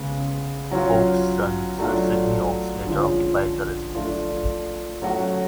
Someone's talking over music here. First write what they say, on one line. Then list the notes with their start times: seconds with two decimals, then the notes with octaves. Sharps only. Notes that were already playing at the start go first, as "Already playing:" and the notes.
Oakes' son, Sir Sydney Oakes, later occupied the residence.
Already playing: C#3 G#3 B3
0.71 F#3 C#4 F4
1.79 F#3 A3 D4 F4
2.86 D3 F3 G#3 C#4 F4
3.94 F3 A3 D4 F4
5.02 F#3 A3 C#4 F#4